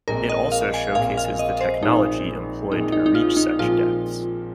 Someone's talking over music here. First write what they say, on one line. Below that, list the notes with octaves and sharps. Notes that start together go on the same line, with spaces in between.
It also showcases the technology employed to reach such depths.
A#1 A#2 G#3 C4 A#4
D#5
F5
G#5
A#1 A#2 G#3 C4 F5
F5
D#5
C5
A#1 A#2 G#3 C4 D#4
A#1 A#2 G#3 C4 D#4
D#4
D#4
F4
D#4
A#2 F3 G#3 C4 F4